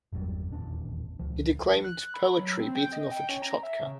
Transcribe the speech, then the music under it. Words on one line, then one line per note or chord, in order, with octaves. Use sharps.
He declaimed poetry, beating off a chechotka.
G1 E2 F#3 G3
D#1 A1 E2 D4
D#1 C#2 F3
F#6
B5
F#3
C4
G5
D#5
G5
C#4
A#5
E5
C#3